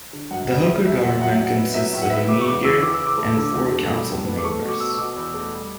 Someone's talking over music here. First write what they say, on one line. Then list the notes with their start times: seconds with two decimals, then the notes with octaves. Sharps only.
The Hooker government consists of a mayor and four council members.
0.13 D3
0.31 F#2 F#5
0.48 G3 F#5
0.66 C#3 E5
0.85 E2 E5
1.02 F#3 F#5
1.21 F#3 F#5
1.33 E5
1.39 B2
1.45 F#5
1.56 B3
1.74 F#3 E5
1.93 A2
2.02 F#5
2.10 B3 E5
2.29 C#3 D6
2.41 C#6
2.46 E2 D6
2.64 E3 E6
2.83 E3 D6
2.94 E6
3.01 C#3
3.07 D6
3.18 A3
3.37 D3
3.54 E2
3.72 A3
3.90 G3
4.08 A2
4.26 B3
4.38 D6
4.44 A3 C#6
4.62 B2
4.69 D6
4.79 B2 E6
4.98 B2 D6
5.16 E2
5.34 A3
5.52 G3